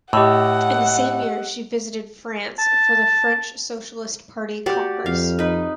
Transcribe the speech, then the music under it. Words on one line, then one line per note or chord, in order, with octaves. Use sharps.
In the same year, she visited France for the French Socialist Party Congress.
A2 G4 D#5 F#5 E6
A5
F#4 G4 D5
F2 F5
D#4 B4